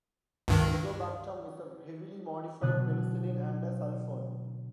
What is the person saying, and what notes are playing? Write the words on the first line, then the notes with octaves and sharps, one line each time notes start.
Tazobactam is a heavily modified penicillin and a sulfone.
C#2 G2 D#3
B2 D3 F#3 D#6 F#6 A6